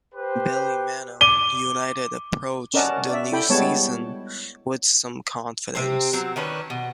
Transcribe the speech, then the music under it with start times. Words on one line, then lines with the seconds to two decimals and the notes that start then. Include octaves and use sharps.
Ballymena United approached the new season with some confidence.
0.13 G4 B4 C5
1.21 D6 D#7 G7
2.74 C#4 A#4 D5 D#5 F#5 A5
3.09 D5 E5
3.32 E4 A4 G5 B5
3.50 G3 G#3 B3 C#5 A5
5.75 C3 C4
6.13 F#3 C4
6.36 D#3 C#4 D4 B4
6.70 B2